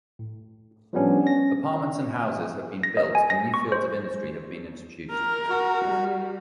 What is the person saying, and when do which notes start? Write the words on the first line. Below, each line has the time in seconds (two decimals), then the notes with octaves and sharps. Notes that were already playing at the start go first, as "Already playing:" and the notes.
Apartments and houses have been built and new fields of industry has been introduced.
0.19 A2
0.93 F3 G3 B3 C#4 D4
1.23 C#4 A#6
2.83 A#6
2.97 D#5
3.15 G#5
3.30 A#6
3.54 C#6
3.72 C5
5.10 A#4
5.50 F#4
5.84 G3